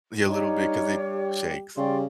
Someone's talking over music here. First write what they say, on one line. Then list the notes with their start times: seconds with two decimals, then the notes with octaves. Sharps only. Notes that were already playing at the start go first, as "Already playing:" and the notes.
Yeah, a little bit, 'cause it shakes.
0.29 G3 D4 D#4 C#5 F5
1.13 G4
1.77 C#3 G3 G4 D5 C6 C#6